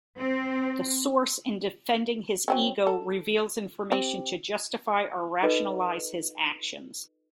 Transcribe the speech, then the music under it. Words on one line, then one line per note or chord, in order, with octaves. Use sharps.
The source, in defending his ego, reveals information to justify or rationalize his actions.
C4
F#3 C4 C#4
A4
C4 G4
D#4 F4 A4 B4 D#5